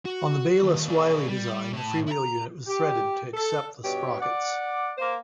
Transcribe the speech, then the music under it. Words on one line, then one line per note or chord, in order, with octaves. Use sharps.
On the Bayliss-Wiley design the freewheel unit was threaded to accept the sprockets.
F#4
D#2
D4 G#4
G3
A2 A5
E4 A#5
G4
A4
G2 B2 G4 C#5
D5 F#5
A#3 C5